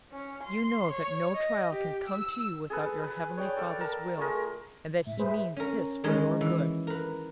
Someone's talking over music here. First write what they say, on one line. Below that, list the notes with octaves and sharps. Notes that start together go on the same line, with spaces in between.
You know that no trial can come to you without your heavenly Father's will, and that He means this for your good.
C#4
C6
C#5
D#5
G4
E6
G#4 A4 B4
B4 G#5
C#5 D5 G5
A4 D5 F5
A#4 A5
A3 F4 G#4 A#4
A2 E5
G#4 B4 C5
C#4 A#4
D#3 G#3 C#4 A#4 B4 D#5
E3
A#4 B4